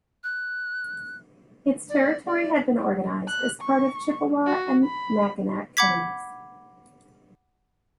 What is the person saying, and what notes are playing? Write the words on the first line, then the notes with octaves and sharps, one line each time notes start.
Its territory had been organized as part of Chippewa and Mackinac counties.
F#6
D5
D5
F#6
C#6
F#4
B5
F#5 B5 D6 G#6 B6